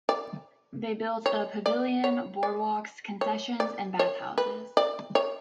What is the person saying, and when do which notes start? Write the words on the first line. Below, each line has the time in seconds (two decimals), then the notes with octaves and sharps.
They built a pavilion, boardwalks, concessions and bath houses.
0.09 D5
1.26 C#5
1.66 D5
2.04 C#5
2.43 D5
3.21 C#5
3.60 D5
3.99 C#5
4.38 B4
4.77 D5
5.15 C#5